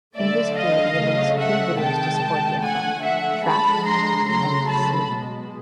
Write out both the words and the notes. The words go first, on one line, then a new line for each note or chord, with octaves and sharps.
Indus Creed released two videos to support the album: "Trapped" and "Sleep".
D3 F#3 A3 D5 E5
D#5 F5
C#3 F#3 A3
E5 F#5
C3 D#3 G#3 G5 A5
D3 F3 A3 F#5 G#5
E5 F#5
D3 F3 G#3 A5 B5
A#5 C6
C#3 F#3 A3 A#5 C6
A5 B5
B2 G#3